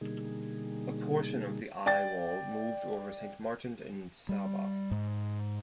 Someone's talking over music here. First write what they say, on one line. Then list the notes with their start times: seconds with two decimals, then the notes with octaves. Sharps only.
A portion of the eyewall moved over Saint Martin and Saba.
0.01 B2 D3 G3 A#3 D#4 G#4
1.86 D5 G5 A6
4.29 G3
4.91 G#2